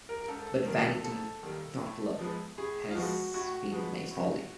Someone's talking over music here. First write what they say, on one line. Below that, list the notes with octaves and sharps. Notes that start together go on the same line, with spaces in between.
But vanity, not love, has been my folly.
A#4
A#4
G#2 A4
A4
D#3 G3 A#3 A#4
A4
G#2 A4
D#3 G3 A#3
A2
F3 G#3 B3
A2 G#4
F4
F3 G#3 B3 F#4
A2 F#4
F3 G#3 B3
A2